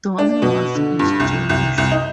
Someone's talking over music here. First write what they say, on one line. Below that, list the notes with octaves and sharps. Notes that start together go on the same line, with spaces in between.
Don Was is Jewish.
D4
B2
D3
G2
C2
C2
C2
D#4